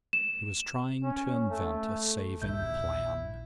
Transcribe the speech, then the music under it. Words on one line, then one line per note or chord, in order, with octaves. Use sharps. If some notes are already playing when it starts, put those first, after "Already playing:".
She was trying to invent a saving plan.
E7
C#4
A3
A#1 D#2 E4 G6